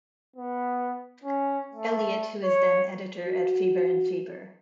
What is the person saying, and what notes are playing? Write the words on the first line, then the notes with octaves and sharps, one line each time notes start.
Eliot, who was then editor at Faber and Faber.
B3
C#4
A3
C#5
F#4